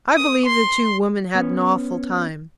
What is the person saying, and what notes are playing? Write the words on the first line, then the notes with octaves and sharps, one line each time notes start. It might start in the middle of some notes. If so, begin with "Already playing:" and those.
I believe the two women had an awful time.
D#6
C6
B3 C#4